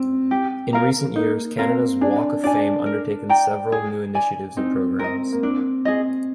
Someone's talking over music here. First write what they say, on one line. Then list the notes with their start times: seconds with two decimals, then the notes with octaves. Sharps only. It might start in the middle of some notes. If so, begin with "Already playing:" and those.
In recent years, Canada's Walk of Fame undertaken several new initiatives and programs.
Already playing: C4
0.31 G4
0.73 A#4 F5 A#5
1.16 A#3 D#4
1.58 C4 A#4 F5
2.01 D4 G#4
2.44 D4 D5 G#5
2.86 A#4
3.29 D5 G5 A#5
3.72 G#4
4.15 D5 G#5
4.57 C4 D#4
4.99 C4 A#4 D#5
5.32 A#3
5.43 C4 D4
5.85 C4 G#4 D#5